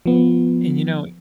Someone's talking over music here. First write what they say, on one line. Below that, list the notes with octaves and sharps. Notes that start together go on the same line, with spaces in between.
and, you know
F3 B3